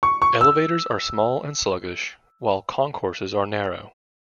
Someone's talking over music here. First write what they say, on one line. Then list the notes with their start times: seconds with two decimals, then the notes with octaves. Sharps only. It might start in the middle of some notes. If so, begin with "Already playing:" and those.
Elevators are small and sluggish while concourses are narrow.
0.03 C#6
0.22 C#6
0.41 E6